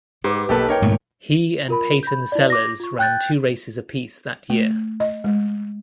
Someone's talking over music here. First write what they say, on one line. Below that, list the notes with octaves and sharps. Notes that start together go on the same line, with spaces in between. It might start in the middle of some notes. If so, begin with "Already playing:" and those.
He and Peyton Sellers ran two races apiece that year.
G#2 G4 B4 D6
B1 A#3 G4 A4 B4 A5
D#4 A#4 B4 C#5 G5
D#2 G#2 B2 A3
F4 A#4 B5
B5 G6
E4 D5
D6 A#6
F4 C#6
G5 F#6 G6 A6
A3
D#5
G#3